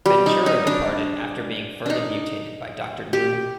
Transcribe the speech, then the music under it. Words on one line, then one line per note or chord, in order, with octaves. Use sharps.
Ventura departed after being further mutated by Doctor Doom.
G3
D#4
D#4
D4
D4 D#4
G4